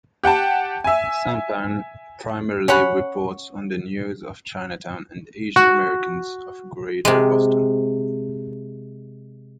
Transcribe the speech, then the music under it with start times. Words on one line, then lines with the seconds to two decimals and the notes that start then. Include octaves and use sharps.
"Sampan" primarily reports on the news of Chinatown and Asian Americans of Greater Boston.
0.24 G4 F#5 G5 A5
0.84 E5 G#5
2.68 C#4 C#5 F#5 B5
5.56 F#4
7.05 C3 G#3